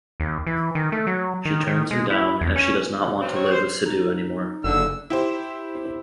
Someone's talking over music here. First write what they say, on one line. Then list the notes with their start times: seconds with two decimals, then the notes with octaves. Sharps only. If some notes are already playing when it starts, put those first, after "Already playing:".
She turns him down as she does not want to live with Siddhu anymore.
0.20 D#2
0.46 E3
0.75 D#3
0.92 A3
1.07 F#3
1.45 D#3
1.67 D#3
1.91 G#3
2.10 E4
2.41 E2
2.55 C#4
3.21 D#3 F#3 C4
3.35 C#5
3.51 C5
3.86 D#4
4.64 F#1 D3 E6
5.10 E4 G4 C5